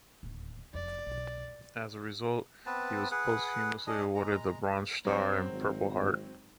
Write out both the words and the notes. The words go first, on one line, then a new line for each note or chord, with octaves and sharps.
As a result, he was posthumously awarded the Bronze Star and Purple Heart.
D1 D#2
F1 F2 D5
B1
B3 C4 B4 A5
G#4 B4 F#5
D4 G#4 D#5
G#3 A#5
F#3 G3 C4
G#1